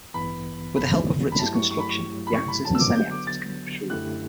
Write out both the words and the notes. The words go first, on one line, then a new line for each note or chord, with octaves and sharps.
With help of Rytz's construction the axes and semi-axes can be retrieved.
A1 G2 E3 B3 B5
B5
B5
G2 F#3 A3 E4 G4 A5
C#6
C#6
B5
C#6
B5
C#6
B5
D3 F#3 B3 A5
E6
D6
G6
D6
A6
F#2 D3 A3 E4 G4 F#6